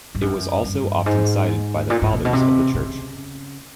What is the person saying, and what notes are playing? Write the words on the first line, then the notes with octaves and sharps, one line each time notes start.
It was also often cited by the Fathers of the Church.
G2
F#2
G2
G#2
A#2
A2
A#2
B2
C3
C#3